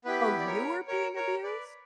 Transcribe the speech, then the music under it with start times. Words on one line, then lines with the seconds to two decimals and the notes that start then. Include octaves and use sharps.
Oh, you were being abused?
0.05 B3 E4 G4 B4
0.39 D5
0.46 A#4 C#5
0.88 A#4 C#5
1.16 A#4 C#5
1.43 B4 D5